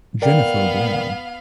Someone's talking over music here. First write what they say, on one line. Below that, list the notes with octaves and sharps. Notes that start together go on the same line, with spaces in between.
Jennifer Brown.
B3 A#4 D5 F5 G5